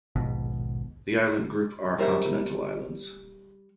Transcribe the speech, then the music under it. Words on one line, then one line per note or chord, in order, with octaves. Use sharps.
The island group are continental islands.
A#1 D#2 G#2 B2
G3 A#4 C5 E5